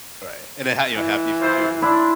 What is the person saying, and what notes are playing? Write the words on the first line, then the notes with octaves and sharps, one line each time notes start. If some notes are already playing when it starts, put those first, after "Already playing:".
Right, and, uh, how you know, happy for who?
E3
E4 F4 C5
D4 E4 C6